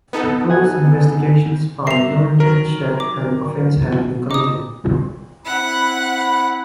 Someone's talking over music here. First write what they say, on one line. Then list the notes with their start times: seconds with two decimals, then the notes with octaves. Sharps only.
Police investigations found no evidence that an offence had been committed.
0.13 B3 D#4 A4
0.49 F#5 G#5
1.87 G2 A#4 E5 C7 F7
2.40 D#3 F#3 A#4
3.00 D6
4.31 D#4 D6 D#6
5.46 C4 E4 F#5 B5